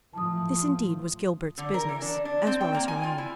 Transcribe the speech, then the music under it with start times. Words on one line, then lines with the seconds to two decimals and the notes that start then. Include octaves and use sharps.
This indeed was Gilbert's business as well as her own.
0.13 A2 F3 A5 D#6
1.58 D3
1.74 A#4
1.89 E3
2.02 D4
2.25 D4
2.47 C4
2.61 G5
2.74 A#3
2.88 G#5
3.03 F4
3.18 E4